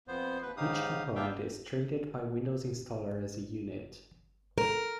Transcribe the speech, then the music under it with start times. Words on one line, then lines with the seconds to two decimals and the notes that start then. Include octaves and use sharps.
Each component is treated by Windows Installer as a unit.
0.08 F2 B3 C5
0.42 D#2 B4
0.57 G#2 C#3 D#4 G4 F5 D#6
1.15 A#3 B3 D4 E5 F5 G5
4.58 A#4